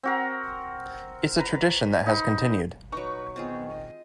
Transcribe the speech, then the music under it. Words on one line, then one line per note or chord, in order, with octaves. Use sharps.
It's a tradition that has continued.
C4 F#4 A#4
B4 A#5
D#4 B5
F#3 D#4 B4 C#6
D#3 B3 C4 F4 G#4
D#5